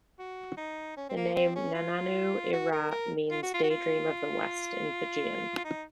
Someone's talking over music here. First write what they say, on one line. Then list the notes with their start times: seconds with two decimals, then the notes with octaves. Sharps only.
The name "Nananu-I-Ra" means "Daydream of the West" in Fijian.
0.19 F#4
0.57 D#4
0.97 C#4
1.09 C4
1.16 A#3
1.36 C4
1.56 C#4
1.75 F4
2.53 F#4
2.72 A#4
2.91 A#4
3.31 F4
3.43 F#4
3.54 F4
3.63 F#4
3.70 F4
5.57 F4
5.65 D#4